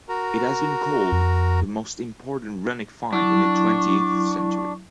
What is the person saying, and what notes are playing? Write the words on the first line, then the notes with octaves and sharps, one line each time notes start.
It has been called the most important runic find in the twentieth century.
F#4 A#4 A#5
F2
F#3 D4 E4 C#6